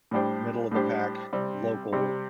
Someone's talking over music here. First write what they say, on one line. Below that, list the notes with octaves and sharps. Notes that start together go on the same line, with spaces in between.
middle of the pack, local,
A2 G3 D4 G4 C5
A2 G3 D4 G4 C5
C3 G3 C4
C3 G3 C4